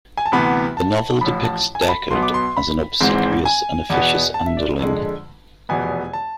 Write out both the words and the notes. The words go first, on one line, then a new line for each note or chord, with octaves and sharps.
The novel depicts Deckard as an obsequious and officious underling.
G#5
A5
D2 C3 E3 B3 B5
A5
A1 A2 F3 B5
A5
G#5
A5
B5
B1 B2 B3 C6
D6
C6
B5
G#1 G#2 E3 G#3 C4
G#5
E2 B2 B3
A5
E5
D5
F2 D3 G#3
F1 E2 B2 B3 G#5
A5